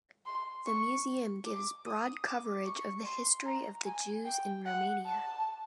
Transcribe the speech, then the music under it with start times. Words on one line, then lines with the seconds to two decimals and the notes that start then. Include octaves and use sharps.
The museum gives broad coverage of the history of the Jews in Romania.
0.26 C6
0.66 C#6
1.45 D6
1.86 D#6
2.26 D6
2.65 C#6
3.05 C6
3.46 A#5
3.85 G#5
4.25 G5
4.66 F#5
5.05 A5